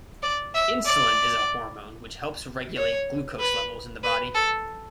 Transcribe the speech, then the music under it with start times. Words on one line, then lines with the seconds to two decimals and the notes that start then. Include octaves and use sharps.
Insulin is a hormone which helps regulate glucose levels in the body.
0.23 D5
0.55 E5
0.86 D5
2.77 C#5
3.40 B4
4.04 B4
4.35 A4